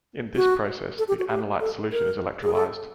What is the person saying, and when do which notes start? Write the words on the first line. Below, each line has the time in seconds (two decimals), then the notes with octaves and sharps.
In this process, the analyte solution is electrolyzed.
0.35 F#4
0.98 A4
1.08 G4
1.19 F#4
1.30 G4
1.60 A4
1.92 A#4
2.43 G#4
2.54 A4